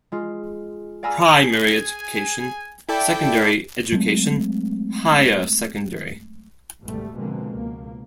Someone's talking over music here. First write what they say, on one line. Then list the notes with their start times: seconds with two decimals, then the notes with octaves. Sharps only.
Primary Education, Secondary Education, Higher Secondary.
0.12 G#3 F4
1.03 D5 F5 G#5 A#5 B5 E6
1.39 G#4 G#5
2.89 E4 A4 D5 G5
3.92 F#3 G#3 A3 C4
6.83 G#1 E2 G#2 B2 G3 A3
7.16 B2 D3 F3 G#3 A#3 C4
7.54 C#2 B2 A#3